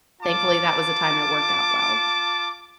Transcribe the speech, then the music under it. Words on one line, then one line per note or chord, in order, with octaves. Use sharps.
thankfully, that was the time it worked out well.
F4 A5 D6